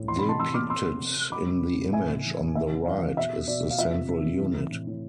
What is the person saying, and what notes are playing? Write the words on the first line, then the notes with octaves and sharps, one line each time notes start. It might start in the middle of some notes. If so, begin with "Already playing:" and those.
Depicted in the image on the right is the central unit.
Already playing: A2
E3 C6
C3 B5
A5 C6
E3 C6 E6
E3 D6 F6
C3 C6 E6
C3
C3
C3
C3 B5 D6
C3
F3
C3
A2 E5 G#5
A2
E3
E3
E3 E5
C3
E3 D5 F5
E3
B2 E5
B2
B2 D5
B2
F5
F3 E5
C3
C3
C3
E3
E3
A2
A2